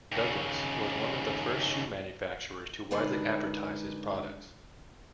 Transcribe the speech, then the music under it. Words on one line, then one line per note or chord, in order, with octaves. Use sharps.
Douglas was one of the first shoe manufacturers to widely advertise his products.
D#2 C#3
D3 G#3 D4 D#4 A#4 B4